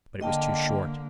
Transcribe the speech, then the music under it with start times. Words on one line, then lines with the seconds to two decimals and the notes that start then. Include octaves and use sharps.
But it was too short.
0.21 D3 A#3 D#5 G5 A5